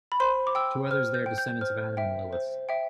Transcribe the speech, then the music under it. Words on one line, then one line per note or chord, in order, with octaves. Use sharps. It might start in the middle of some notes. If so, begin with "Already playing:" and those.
To others they are descendants of Adam and Lilith.
B5
C5 C6
D6
G5 E6
C5 F6
G6
G5
G6
C5 F6
E5 G5
C5
E5 G5